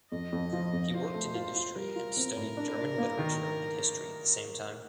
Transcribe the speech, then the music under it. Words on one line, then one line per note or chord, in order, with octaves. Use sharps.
He worked in industry and studied German literature and history at the same time.
F2 D#5
F2
F3
F2
F4 C5
A3
F4
F4
G3 A#4
F4
C4
A2
D4
D4
A#3
D#3